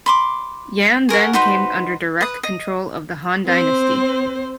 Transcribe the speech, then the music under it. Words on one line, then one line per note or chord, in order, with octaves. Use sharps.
Yan then came under direct control of the Han dynasty.
B5 C6 D6
G#4 A#4 C#5 F#5
D#4 F#4 B4 C5
B4 D#6
D#5
C4 C5